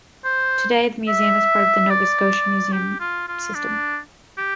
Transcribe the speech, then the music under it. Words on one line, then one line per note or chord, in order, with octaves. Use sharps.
Today the museum is part of the Nova Scotia Museum system.
C5
E5
D5
G4
F4
F4
D4
G4